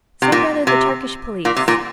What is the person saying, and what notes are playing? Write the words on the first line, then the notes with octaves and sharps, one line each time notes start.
'Say rather the Turkish police.
C3
A#2
C3
A#2
C3
A#2